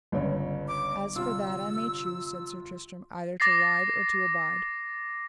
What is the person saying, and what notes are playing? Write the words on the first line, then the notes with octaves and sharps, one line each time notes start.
As for that I may choose, said Sir Tristram, either to ride or to abide.
G1 C#2 C#3 C#5
D6
C3 F4 E6
D6 A6 A#6 C7